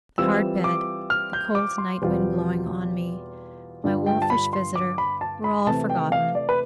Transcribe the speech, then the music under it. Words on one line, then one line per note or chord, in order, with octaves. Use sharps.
The hard bed, the cold night wind blowing on me, my wolfish visitor, were all forgotten.
E3 G3 C4 F4 E6
D6
F6
G6
D6
C6
E2 B2 G3 C4 F4
G2 D3 G3 D4 F4
G5
A5
B5
C6
D6
B5
A5
B5
C3 E3 A3 C4 A5
G5
F5
D5
B4